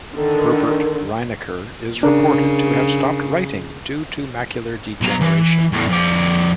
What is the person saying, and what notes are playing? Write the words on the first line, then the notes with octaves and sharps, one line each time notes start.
Herbert Reinecker is reported to have stopped writing due to macular degeneration.
D3 D#3
C#3 D4 A#4
B1 A#5
E3
E2 A2
F2 D5